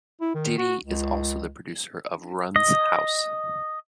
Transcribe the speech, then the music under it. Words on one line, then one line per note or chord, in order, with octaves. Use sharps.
Diddy is also the producer of "Run's House".
E4
D#3
F#4
C#2
D#5